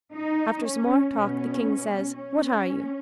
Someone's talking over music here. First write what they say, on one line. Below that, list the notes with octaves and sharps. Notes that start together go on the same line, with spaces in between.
After some more talk the king says, "What are you?"
D#4
C#4
B2 B3 C#4
C#4